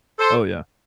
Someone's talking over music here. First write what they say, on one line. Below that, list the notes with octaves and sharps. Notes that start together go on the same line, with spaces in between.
Oh, yeah.
A4 C5